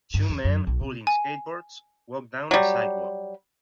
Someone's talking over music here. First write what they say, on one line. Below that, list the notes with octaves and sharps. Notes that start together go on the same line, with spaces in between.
Two men holding skateboards walk down a sidewalk.
G2
E2
F#2
B1
C3
G#5
F#3 G3